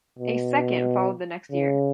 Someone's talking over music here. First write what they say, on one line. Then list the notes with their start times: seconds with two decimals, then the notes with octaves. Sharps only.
A second followed the next year.
0.19 B2
1.52 C#3